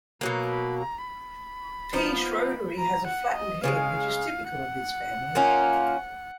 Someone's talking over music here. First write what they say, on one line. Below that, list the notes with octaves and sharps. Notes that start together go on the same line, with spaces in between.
"P. Schroederi" has a flattened head, which is typical of this family.
B2 F#3 A#3 A#5
B5
A#5
B5
F3 B3 D#4
A#5
F#5
D#5
C#3 F3 G#3 F5
F#5
D#3 A#3 C#4 F4